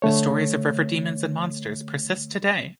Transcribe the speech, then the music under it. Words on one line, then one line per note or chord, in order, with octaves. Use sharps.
The stories of river demons and monsters persist today.
D3 A3 C#5